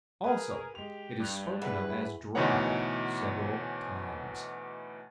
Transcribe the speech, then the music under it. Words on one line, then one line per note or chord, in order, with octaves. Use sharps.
Also it is spoken of as "dried" several times.
G#4 A#4 B4
G#3 G4 F7
G2 D6 F#6 F7
E2 B4
D2 B2 E3 D#4 C#5 F#5